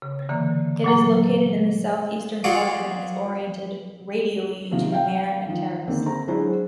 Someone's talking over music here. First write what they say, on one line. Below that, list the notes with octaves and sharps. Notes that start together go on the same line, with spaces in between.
It is located in the southeastern quadrant, and is oriented radially to Mare Nectaris.
C#3
D3 E3 A#3
A#2 F#3 A#3
F4 F#4 G#4 A4 D5 F5
C3 D#3 F3 F#3
F5 G5
D#3 F3
D3 D#3 A#3 C4
A4 A#5
F#3 G#3 D4 E4 C5